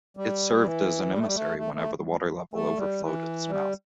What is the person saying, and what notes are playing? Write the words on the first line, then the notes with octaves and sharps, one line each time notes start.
It served as an emissary whenever the water level overflowed its mouth.
G3
E3
G3
A3
G3
A3
A3
A3
A3
G3
E3
G3